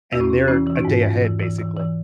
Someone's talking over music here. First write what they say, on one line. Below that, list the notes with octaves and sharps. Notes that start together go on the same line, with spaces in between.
and they're a day ahead, basically,
E2 F#4
C#4 E4
C3
E3 C#4 E4
E3
D#4 F#4
G#2
G#2
E3
E3
E3
E3